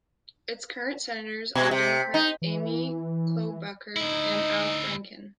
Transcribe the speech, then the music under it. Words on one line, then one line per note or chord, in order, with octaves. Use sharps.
Its current Senators are Democrats Amy Klobuchar and Al Franken.
B2
C3
D#4
E3
D2 D#4 E4